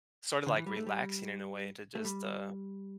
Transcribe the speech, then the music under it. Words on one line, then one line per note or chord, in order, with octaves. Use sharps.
sorta, like relaxing in a way to just, uh
D3
E3
G3
A3
G3
A3
G3